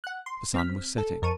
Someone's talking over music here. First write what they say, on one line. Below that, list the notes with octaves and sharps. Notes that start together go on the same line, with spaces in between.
The sun was setting.
F#5 F#6
C6
C4 F6 B6
A4
F2 A#4 A5 C#6 D#7